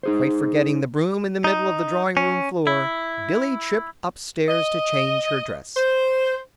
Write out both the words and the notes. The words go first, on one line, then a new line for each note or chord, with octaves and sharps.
Quite forgetting the broom in the middle of the drawing-room floor, Billy tripped up-stairs to change her dress.
D#4 G#4 C5
D#4
C#4
E4
D#5
C5